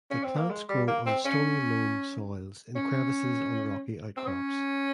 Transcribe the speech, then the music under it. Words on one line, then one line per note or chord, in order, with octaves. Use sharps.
The plants grow on stony loam soils in crevices on rocky outcrops.
C#4
C4
A#3
G#3
G3
A#3
C4
C#4
C#4
C4
C#4